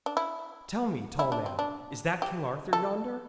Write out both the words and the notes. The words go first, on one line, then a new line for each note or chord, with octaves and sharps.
'Tell me, tall man, is that King Arthur yonder?'
D4
E4
E4
D4
C4
D4
G4
A4